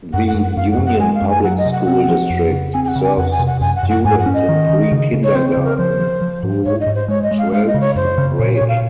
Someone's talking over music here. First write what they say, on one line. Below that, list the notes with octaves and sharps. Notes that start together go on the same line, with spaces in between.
The Union Public School District serves students in pre-kindergarten through twelfth grade.
F#2 F#5
F#5
F#2
F#5
F#2 F5
F#5
F#2
F#5
G#3 G#5
F5
F#2
G#5
F#3 F#5
D#5
C3
F#5
C4
F3
F2
C#3
C4 G#5
G#5
F#5
C#3
G#5
F2 F#5
G#5
C3
F#5
F#2 G#5
F#5
F#2
F#5
G#2 G#5
F#5
C#4
D#5
D#3
D#3
C#3
C#3
C#5
C4 C5
C5
C#3
A#4
F3 C5
F3
F3
G#2
G#2 C#5
D#5
G#2
C5
G#3 C#5
D#5
G#3
F5
G#3 F5
D#5
C#3
C#5
F#2 C5
C#3
A#2 C#5
C#5
A#2
F5